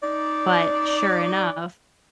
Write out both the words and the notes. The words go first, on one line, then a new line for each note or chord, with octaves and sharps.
but sure enough
D#4 D5